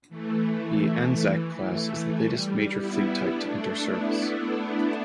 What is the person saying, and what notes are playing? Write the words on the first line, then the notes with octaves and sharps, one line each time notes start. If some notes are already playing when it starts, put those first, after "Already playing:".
The "Anzac" class is the latest major fleet type to enter service.
E3 A3
E3
E3 A3
G3
B3 E4
A3 D4
B3 E4